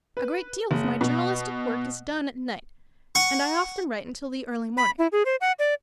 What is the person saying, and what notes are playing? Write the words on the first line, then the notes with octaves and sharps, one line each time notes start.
A great deal of my journalistic work is done at night, and I often write until the early morning.
B4
F#1
B2
F#5 C#6
B5
E4
G#4
C5
F#5
D5